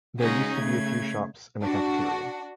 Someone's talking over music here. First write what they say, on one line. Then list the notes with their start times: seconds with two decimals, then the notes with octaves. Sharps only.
There used to be a few shops and a cafeteria.
0.20 C#3 G#3 C#4 D#4 F#4 G#4
0.55 C#3 A3 G#6
1.63 D4 F#4